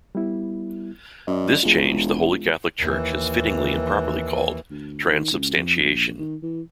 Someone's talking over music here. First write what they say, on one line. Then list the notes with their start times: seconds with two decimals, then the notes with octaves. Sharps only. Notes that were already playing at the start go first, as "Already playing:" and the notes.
This change the holy Catholic Church has fittingly and properly called transubstantiation.
0.15 G3 B3 E4
1.27 F#2 D5 D#5
1.63 E1 G#3 F4
2.80 D#2 E3
4.70 D2
5.11 D#3
5.32 C#2
5.55 F2
5.83 A#1
6.19 D#3
6.43 E3